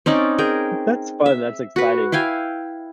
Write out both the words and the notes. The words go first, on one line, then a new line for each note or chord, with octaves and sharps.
That's fun, that's exciting,
C4 C#4 D#4 D5
G#4 A#4 G5
E5
F#4 B4
E4 F5 G5 G#5